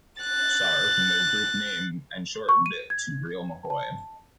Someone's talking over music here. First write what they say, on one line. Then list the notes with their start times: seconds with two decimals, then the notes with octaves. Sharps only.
Sar" from their group name and shortened it to "Real McCoy.
0.22 F#6 A6
2.49 C#6
2.66 D#7
2.90 G#6
3.70 A5